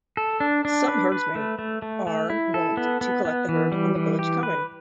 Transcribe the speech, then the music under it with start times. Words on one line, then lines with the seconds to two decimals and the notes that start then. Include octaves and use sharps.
Some herdsmen are wont to collect the herd on the village common.
0.17 A4
0.40 D4
0.65 D4
0.88 B4
1.12 B4
1.35 A3
1.59 A3
1.82 A3
2.07 A3
2.30 E4
2.54 A4
2.77 B3
3.01 B3
3.25 B3
3.49 E3
3.72 G3
3.95 E3
4.19 G4
4.43 B4